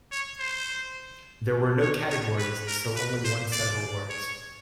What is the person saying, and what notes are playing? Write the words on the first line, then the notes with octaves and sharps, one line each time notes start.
There were no categories, so only one set of awards.
C#5
C5
C#5
C#5
B4
A#4
B4
C5
D5
C#5